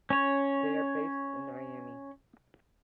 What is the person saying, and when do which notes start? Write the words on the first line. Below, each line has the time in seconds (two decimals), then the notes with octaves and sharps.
They are based in Niamey.
0.10 C#4 C#5